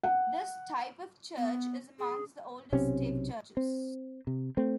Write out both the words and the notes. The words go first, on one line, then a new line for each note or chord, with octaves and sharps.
This type of church is amongst the oldest Stave Churches.
F#5
B3
G#4
B1 C3 C#4
C4
C3
A3 C4